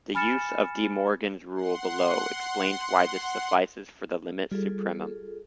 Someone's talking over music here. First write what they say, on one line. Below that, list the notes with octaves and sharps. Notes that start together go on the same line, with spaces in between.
The use of DeMorgan's rule below explains why this suffices for the limit supremum.
G#5 B5 F6 A6 C#7 E7
F#5 C6
G3 F4 G#4 A4